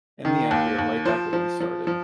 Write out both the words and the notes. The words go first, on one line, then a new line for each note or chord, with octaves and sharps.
In the end, we are right back where we started.
D#3
D#2
D#2
F3 C5
F3
F3
F3